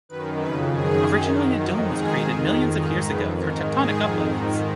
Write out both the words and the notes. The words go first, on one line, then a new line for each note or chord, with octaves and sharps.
Originally a dome was created millions of years ago through tectonic uplifts.
F#2 D#3 B4
F2 C#3 B4
F#2 D#3 G#4
F#2 D#3
F#2 D#3
F2 D#3 F#4
G#2 D#3 G#4
F2 D#3
F2 D#3 A#4
G#2 D#3 G#4
F2 C#3 B4
G#2 D#3 A#4
G#2 D#3 G#4
F2 D#3
G#2 D#3